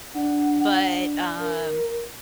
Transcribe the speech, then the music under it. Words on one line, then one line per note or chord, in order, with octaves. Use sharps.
but, um,
D4 F#5
A#4